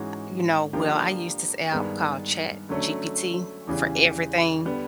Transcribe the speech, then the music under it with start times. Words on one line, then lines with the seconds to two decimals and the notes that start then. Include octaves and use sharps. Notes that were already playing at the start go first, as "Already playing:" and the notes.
you know, well, I use this app called ChatGPT for everything.
Already playing: G#2 E3 G#3 C#4 F#4
0.73 D3 F3 A#3 D4 G4
1.71 G2 D#3 G#3 B3
2.69 D3 F#3 A3 C#4
3.67 E2 C#3 E3 G3
4.65 D3 G3 B3